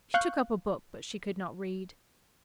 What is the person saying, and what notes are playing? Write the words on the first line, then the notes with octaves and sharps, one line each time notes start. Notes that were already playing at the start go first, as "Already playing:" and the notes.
She took up a book, but she could not read.
F5 C#6 F#6 G6